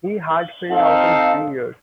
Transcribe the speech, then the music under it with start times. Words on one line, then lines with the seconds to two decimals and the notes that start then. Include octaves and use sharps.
He had filled out in three years.
0.70 C4 D#4 A4 F5